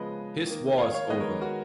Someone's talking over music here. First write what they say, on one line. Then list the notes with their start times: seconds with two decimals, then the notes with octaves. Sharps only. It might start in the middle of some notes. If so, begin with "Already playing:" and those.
His war is over.
Already playing: C#3 F3 G#3 B3 B4 D#5
0.46 D#3 A#3
0.78 C#5 F5
0.94 C#5 F5
1.09 D#3 G#3 B3 B4 D#5
1.20 A#4 C#5
1.41 F#4 A#4